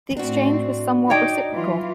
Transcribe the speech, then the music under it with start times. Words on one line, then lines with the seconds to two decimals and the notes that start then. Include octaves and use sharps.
The exchange was somewhat reciprocal.
0.17 A2 A3 C4 D4 F#4
1.10 D#4 C#5 D5 G5
1.54 E3 F#3 F4